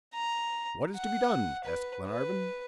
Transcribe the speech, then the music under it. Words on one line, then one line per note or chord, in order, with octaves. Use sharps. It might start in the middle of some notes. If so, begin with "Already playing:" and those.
"What is to be done?" asked Glenarvan.
A#5
F#5
B4
B4